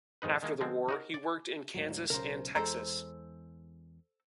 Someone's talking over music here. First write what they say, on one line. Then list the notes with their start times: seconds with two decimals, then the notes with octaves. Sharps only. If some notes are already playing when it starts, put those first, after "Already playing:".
After the war, he worked in Kansas and Texas.
0.22 F2 G#2 D#3 D#4 B4
0.43 D#3 G#3 A#3
0.61 D3 F3 G#3 C4
0.89 D#4 F#4 A#4
1.14 D5
1.74 D2 G#2 F#3
2.10 B1 C#3 A#4 C5
2.55 E2 G#3 A4 C5 A#5